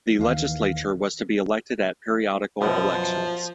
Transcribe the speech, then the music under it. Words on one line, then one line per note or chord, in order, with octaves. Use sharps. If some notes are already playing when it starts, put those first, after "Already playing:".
The legislature was to be elected at periodical elections.
D#2 D#3 E3 F5
F#2 B2 F3